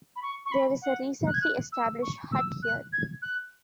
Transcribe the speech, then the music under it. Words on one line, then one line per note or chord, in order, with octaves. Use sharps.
There is a recently established hut here.
B5
C#6
C#6
B5
F#5
F#6
G#6
F#6
E6
C#6
E6
F#6
G#6
F#6